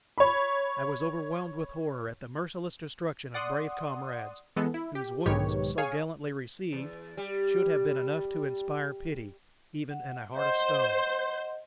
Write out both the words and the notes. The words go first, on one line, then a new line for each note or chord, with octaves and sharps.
I was overwhelmed with horror at the merciless destruction of brave comrades, whose wounds, so gallantly received, should have been enough to inspire pity even in a heart of stone.
C#5 B5
D5 F#5 C6 D#6
E3 G#3 B3 A4
E4
G4
B1 G#2 D#3 G4 B4 C#5
G#4 C#5 F5 G#5
E2
G3
F#5
C5 D#5 F#5